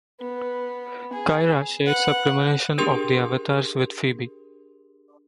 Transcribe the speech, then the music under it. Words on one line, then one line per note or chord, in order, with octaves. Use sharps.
Kyra shares her premonition of the Avatars with Phoebe.
B3
G#4
B4 F#5
D4 G4 G#4 A#4 C6